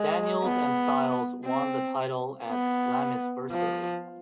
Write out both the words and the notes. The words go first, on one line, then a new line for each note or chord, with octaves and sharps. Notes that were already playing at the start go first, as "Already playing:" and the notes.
Daniels and Styles won the title at Slammiversary.
Already playing: G#3
B3
C4
B3
F3